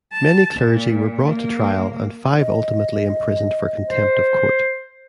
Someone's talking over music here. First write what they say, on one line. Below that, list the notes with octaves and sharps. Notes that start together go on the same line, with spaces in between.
Many clergy were brought to trial and five ultimately imprisoned for contempt of court.
A5
A#2
A#3
D#5
C5